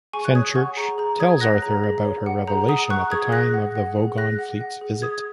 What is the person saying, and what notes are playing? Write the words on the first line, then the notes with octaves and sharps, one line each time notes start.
Fenchurch tells Arthur about her revelation at the time of the Vogon fleet's visit.
G#4 G#5 C#6
F#6
C#5 D#6 G#6
F#5 G#5 C#6
G#4 A#5
G#4 A#5
C#5 D#6 G#6
F#5 F#6 A#6
G#4 A#5
G#4
C#5
F#5
G#4 A#5
F#5 A#5 D#6
F#5 C#6 F#6
G#4 D#6 G#6
G#4 F#6 A#6
F#5
F#5
G#4
G#4 F#6 A#6
F#5
F#5
G#4
G#4 D#6 G#6